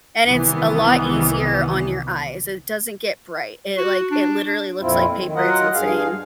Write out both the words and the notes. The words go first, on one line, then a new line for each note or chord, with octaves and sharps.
and it's a lot easier on your eyes. It doesn't get bright, it, like, it literally looks like paper, it's insane.
C2 D#3 E3 B3
F#4
D4
F2 A#2 C4 E4 F4
D#3
F#3 F4 A#4 D#5 F#5
G2 G#4 F5